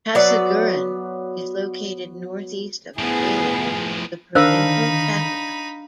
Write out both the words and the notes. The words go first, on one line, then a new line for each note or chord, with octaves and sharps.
Casiguran is located north-east of Baler, the provincial capital.
F#3 B3 D5 E5
A2 F3 B3 E4 G#4 B4
D3 D#3 D4 D#4 A#4 C5 F5 B5